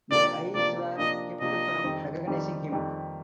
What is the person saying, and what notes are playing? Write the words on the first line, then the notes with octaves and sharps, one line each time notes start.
Their eyes were kept from recognizing him.
C3 F3 A#3 D4 D5
C3 F3 A#3 D4 D5
C3 F3 A#3 D4 D#5
C3 F3 A#3 D4 D#5
F2 D#3 G3 C4 D#4
F2 D#3 G3 C4 D#4
F2 D#3 G3 C4 D#4